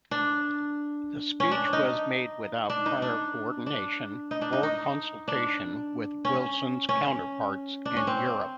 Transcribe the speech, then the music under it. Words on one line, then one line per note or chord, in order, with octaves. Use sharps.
The speech was made without prior coordination or consultation with Wilson's counterparts in Europe.
D4
C#4
D4
D#4
D4
D#4
D4
D4
D#4
D4
D#4
D#4
D4
C#4
C#4
D4
C#4
C4